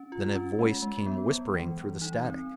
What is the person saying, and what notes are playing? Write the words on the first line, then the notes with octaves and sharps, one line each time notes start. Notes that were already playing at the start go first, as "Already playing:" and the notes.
Then a voice came whispering through the static.
Already playing: C#4
F4
C#4
G#3
G#3
B3
G3
E3
E3
D#4
C4